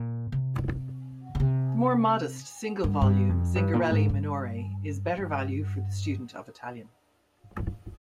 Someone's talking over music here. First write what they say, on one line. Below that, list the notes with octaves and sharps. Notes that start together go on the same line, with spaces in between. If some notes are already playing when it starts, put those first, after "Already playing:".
The more modest, single-volume "Zingarelli minore" is better value for the student of Italian.
Already playing: A#2
C3
C#3
C3
G2
G2
F2
G2
A#2
G#2
G2
G2